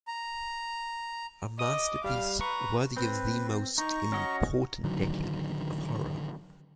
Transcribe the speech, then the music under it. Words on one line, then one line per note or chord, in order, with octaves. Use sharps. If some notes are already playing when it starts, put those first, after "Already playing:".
A masterpiece worthy of the most important decade of horror.
A#5
D#5 D6 D#6
G3 F5
B4 A#5 C#6
C4 B4
D#4 A#5 C#6
C#4 F#4 D#5
A1 D3 D#3 F#3